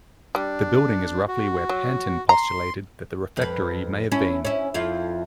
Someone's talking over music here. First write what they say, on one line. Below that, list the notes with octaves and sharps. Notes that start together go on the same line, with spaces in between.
The building is roughly where Pantin postulated that the refectory may have been.
G3 D4
F#4
F#3
A#5 C6
F2 B4
C#4 E4
C#4 E4
F2 E4 F4